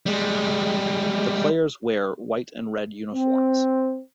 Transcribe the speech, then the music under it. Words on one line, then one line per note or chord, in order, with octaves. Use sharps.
The players wear white and red uniforms.
G3 G#3
C4